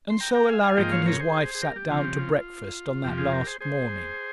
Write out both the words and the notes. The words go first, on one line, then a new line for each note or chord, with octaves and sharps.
And so Alaric and his wife sat down to breakfast on that last morning.
C6
G5 A#5
G5 A#5
F5 G#5
F5 G#5
G#2 F3 A#3 F4 D#5 G5
C#5 F5
A#4 C#5
G#4 C5
G#4
G4 A#4
G4
C#3 F3 C4 F4
G4
F4
F2 C3 F3 G4
F4 G#4
G4 A#4
G#4 C5
G#4 C5